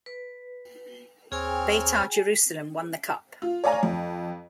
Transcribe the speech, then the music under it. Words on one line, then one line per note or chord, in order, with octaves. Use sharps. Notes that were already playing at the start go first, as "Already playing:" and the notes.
Beitar Jerusalem won the cup.
B4
D#2 C4 G#4 C#5 G5 G#5 F6
F4
C#5 D5 F5 G#5 A#5
F2